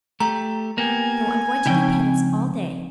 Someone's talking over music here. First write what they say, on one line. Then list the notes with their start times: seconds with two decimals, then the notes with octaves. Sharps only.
So I'm going to do penance all day.
0.20 A3 G4 A#5
0.78 A#3 B3 G4 G#5
1.66 C#2 C#3 F3 C4 D#4 G5